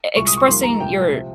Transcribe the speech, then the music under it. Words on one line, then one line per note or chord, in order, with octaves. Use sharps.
e expressing your
C2 A#2 G#3 C#6
D#6
C#6
F2 D#3 G3 A#3 C6
A#5
C2 A#2 G#3 G5
C3 F3